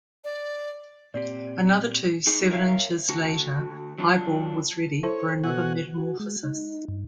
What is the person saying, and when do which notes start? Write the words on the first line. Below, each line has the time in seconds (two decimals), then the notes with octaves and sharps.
Another two seven-inches later, Piebald was ready for another metamorphosis.
0.24 D5
1.14 A#2 C4 G4 D5
2.27 D#4 G#4
2.51 A#4 C#5 E5 F5
3.09 D3 F#4
3.98 F#3 D4 F4
5.03 E4 A4 C5 C#5
5.44 B2 F#4 F#5 G#5
5.98 F#4
6.20 G#3
6.43 D#4
6.88 G2